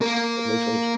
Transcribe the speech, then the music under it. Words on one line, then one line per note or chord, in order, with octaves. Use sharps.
that makes sense.
A#3 A#4